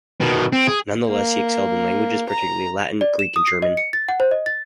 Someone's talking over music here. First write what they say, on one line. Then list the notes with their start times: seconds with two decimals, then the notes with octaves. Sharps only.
Nonetheless, he excelled in languages, particularly Latin, Greek and German.
0.20 B2 D#3
0.52 C4
0.67 G#4
1.09 A#3
2.29 A#5
3.01 D5
3.19 E7
3.36 D#6
3.47 C7
3.62 D#5
3.77 C#7
3.93 A6
4.09 F#5
4.20 C5
4.31 D#5
4.46 A6